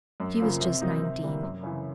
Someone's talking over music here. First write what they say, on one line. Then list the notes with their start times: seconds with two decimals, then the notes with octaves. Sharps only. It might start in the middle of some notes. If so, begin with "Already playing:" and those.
She was just nineteen.
0.20 F#2
0.40 C#3 F3 A#3
0.61 C3
0.81 D#3 F#3 A#3 D#4
1.02 C3
1.23 E3 G3 A#3
1.43 F#2
1.63 C#3 E3